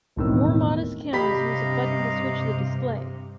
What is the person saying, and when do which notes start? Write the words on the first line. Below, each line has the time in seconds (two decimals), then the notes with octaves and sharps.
More modest cameras use a button to switch the display.
0.16 E1 F2 A2 D#3 E6
1.13 G2 C3 G4 D#5 F5 A#5 B5 B6